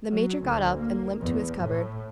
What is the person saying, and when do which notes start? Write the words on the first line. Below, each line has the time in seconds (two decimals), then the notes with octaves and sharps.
The Major got up and limped to his cupboard.
0.10 F#3
0.43 D2
0.78 A#3
1.21 E2
1.60 A2